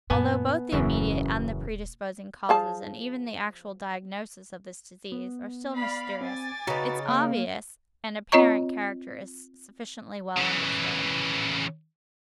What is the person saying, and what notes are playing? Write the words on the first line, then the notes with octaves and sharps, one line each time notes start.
Although both the immediate and the predisposing causes, and even the actual diagnosis, of this disease are still mysterious, its obvious and apparent character is sufficiently well understood.
F#2 A#2 B3 G#5 A5
D#1 F#2 C#3 E3
F3 G#4 A5
B3
D5 F5 B5
C4 G#5 D6 A6
C#3 D#4 F#4 B4 A#5
A#3 F5
C4 F4 C#5 D#5 A#5 C#6
C#3 E3